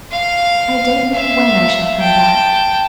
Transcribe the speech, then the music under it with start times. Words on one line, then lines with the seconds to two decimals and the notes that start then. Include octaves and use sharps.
"I don't know when I shall come back."
0.12 F5
1.13 E5 F5
2.00 G5 A5